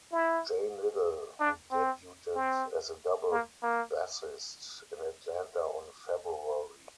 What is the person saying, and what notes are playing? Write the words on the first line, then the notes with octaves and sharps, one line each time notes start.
Jane Little, who debuted as a double bassist in Atlanta on February.
E4
D4
C4
C4
A#3
A#3